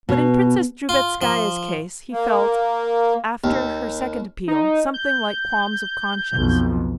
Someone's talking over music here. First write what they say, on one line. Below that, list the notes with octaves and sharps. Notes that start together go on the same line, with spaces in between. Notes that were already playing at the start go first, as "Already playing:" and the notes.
But in Princess Drubetskaya's case he felt, after her second appeal, something like qualms of conscience.
B2
F4
F3
A#3
D#2
D#4
G6
B1 F2